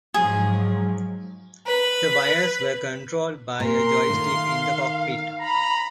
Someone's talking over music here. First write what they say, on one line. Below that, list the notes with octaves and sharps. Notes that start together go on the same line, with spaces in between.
The wires were controlled by a joystick in the cockpit.
G#2 F3 F#3 G#4
B4
A#2 A#4 C6
D#3 A3 F5
A#5 B5